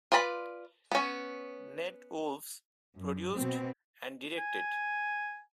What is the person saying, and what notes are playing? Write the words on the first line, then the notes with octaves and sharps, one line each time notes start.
Nat Wolff produced and directed.
F4 B4 D5 A5 B5
B3 C#4
F#2
B2 C4
G#5